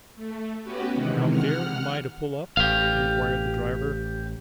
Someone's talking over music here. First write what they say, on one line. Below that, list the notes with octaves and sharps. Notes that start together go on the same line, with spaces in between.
'Now vere am I to pull up?' inquired the driver.
A3
B3 C#4 F#4 G4 B4
C3 D#3 E3 G#3
F#5 F6
A1 G4 F5